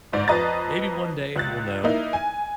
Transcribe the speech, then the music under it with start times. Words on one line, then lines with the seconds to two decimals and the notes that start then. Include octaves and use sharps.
maybe one day we'll know.
0.12 G1 G#2 D5
0.28 F2 B4 D#5 A#5 A6
1.36 C#2 F#6 A6
1.84 A#3 D#4 E4
2.13 G#5